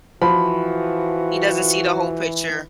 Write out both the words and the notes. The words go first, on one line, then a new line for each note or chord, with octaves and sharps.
He doesn't see the whole picture.
E3 F3 F#4 B5